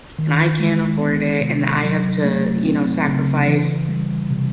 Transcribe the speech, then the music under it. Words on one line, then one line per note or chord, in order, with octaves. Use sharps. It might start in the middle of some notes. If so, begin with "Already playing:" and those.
and I can't afford it, and I have to, you know, sacrifice
D#3
G#3
B3
C3
F#3
A3
C4
C#3
E3
G3
C3